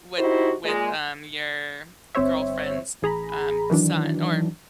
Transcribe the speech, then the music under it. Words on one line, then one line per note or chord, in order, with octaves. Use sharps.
with with, um, your girlfriend's, um, son or
D#4 E4 F#4 G4 C5
A#2 G#3
G1 C4 C5 C#5 E5
A1 G#4 A#5 B5
D#3 E3 F#3 D4